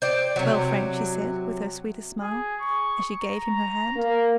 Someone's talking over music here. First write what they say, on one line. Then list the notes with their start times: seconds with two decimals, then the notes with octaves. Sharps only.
"Well, Frank?" she said, with her sweetest smile, as she gave him her hand.
0.02 C5 D5 G5
0.36 C3 F#3
2.21 G#4
2.61 C#6
3.21 A#5
3.97 A#3